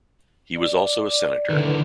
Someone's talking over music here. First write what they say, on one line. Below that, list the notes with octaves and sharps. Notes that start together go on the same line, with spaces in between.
He was also a senator.
D5
A2 D3 D#3 A4 B4